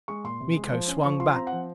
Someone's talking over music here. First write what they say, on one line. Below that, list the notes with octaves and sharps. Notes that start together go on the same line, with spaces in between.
Miko swung back.
G#3 C#6
A#2 C6
C3
G#3
F3
C#4
F3 C#6
F4 C6
C4 A#5
F#5
F3